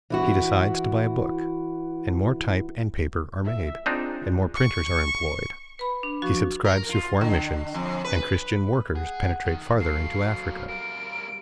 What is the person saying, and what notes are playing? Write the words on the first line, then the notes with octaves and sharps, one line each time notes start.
He decides to buy a book, and more type and paper are made, and more printers are employed; he subscribes to foreign missions and Christian workers penetrate farther into Africa.
E3 E4 F#4
E5
C4 D4 D#4 F4 G#4
C#6
B4 B5
D4
F3 F#4 C#6
A#4
F4
D3
F2
B4
G#4 F#5
D#3
F#3 A4 F5 C7
G3 A#4 D7